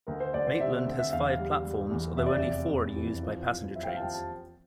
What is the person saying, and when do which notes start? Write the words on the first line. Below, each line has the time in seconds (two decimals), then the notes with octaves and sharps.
Maitland has five platforms, although only four are used by passenger trains.
0.07 D2 A#4
0.20 C5
0.34 D2 D5
0.47 C5
0.60 C3 E5
0.73 E5
0.87 D2
0.99 E5
1.13 E2 F5
1.38 G3
1.64 G3
1.91 E2
2.17 F1 E5
2.26 D5
2.37 E5
2.43 F1
2.69 F1
2.96 E3
3.23 F3
3.49 F3
3.75 F3 E5
3.83 G5
3.88 F5
3.97 A5
4.01 F3 G5
4.14 A5